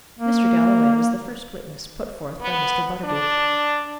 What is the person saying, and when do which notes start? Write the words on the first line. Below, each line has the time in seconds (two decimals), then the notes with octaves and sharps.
Mr. Galloway was the first witness put forth by Mr. Butterby.
0.19 A#3
2.41 B3
3.04 D4